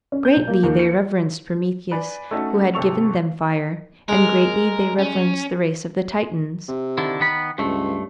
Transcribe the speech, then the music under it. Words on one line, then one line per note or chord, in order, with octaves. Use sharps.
Greatly they reverenced Prometheus, who had given them fire, and greatly they reverenced the race of the Titans.
C#4
G6
B1
A#3
D#2
C#7
B4 D5 G#5
A3 C#4 D#4 F#4 A4
G#1 C3 A4 C#6 F7
G#3 A#4
C#4
C3
D3 D#3 E4
D#3 B3 B5
C#2 G2 A3